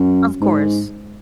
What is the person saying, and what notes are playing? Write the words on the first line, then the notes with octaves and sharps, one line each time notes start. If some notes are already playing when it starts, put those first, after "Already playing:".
Of course.
Already playing: F#2
G#2